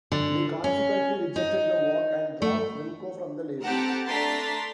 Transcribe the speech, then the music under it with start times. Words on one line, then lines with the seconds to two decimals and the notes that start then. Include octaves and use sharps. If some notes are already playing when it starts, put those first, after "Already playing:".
They consequently rejected the work and dropped Wilco from the label.
0.12 D3
0.64 C#4
1.36 D#4
2.42 A3
3.63 C4 G4 A4 F#5 A5 A#5
4.08 A3 D4 A#5 C6 A6 B6